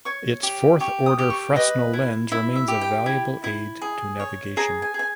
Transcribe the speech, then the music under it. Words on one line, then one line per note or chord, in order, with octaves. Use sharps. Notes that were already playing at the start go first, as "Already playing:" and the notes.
Its Fourth Order Fresnel lens remains a valuable aid to navigation.
C#5 C#6
G4
G4 C#6
D#6
G4
C#6
B4 D#5
E4
E4 E5
E5
G4
G5
E4
E4
G#4
C#5
G#4 A#5
G#5
G#4
G#5